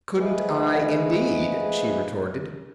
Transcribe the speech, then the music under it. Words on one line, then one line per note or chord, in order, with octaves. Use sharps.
"Couldn't I, indeed," she retorted.
F3 G#3 A3 G#4 B4